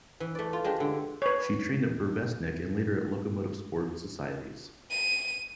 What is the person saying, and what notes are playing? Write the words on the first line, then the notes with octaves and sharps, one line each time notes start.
She trained at Burevestnik and later at Lokomotiv sports societies.
E3
A3 D5
F4
G#3 D4 G4
D3
B4 C#5
D#7